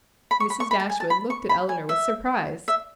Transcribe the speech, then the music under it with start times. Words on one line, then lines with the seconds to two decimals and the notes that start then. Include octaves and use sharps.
Mrs. Dashwood looked at Elinor with surprise.
0.31 B5
0.40 C#6
0.50 B5
0.60 C#6
0.71 B5
0.80 A5
0.90 G#5
1.00 A5
1.10 B5
1.30 C#6
1.49 B5
1.69 G#5
1.89 E5
2.68 E5